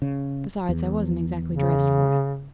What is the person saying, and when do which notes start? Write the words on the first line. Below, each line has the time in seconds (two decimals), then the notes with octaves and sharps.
Besides, I wasn't exactly dressed for it.'
0.02 C#3
0.69 E2
1.49 C#3